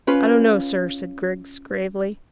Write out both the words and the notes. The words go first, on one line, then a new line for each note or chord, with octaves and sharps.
"I don't know, sir," said Griggs gravely.
C#4 F4 B4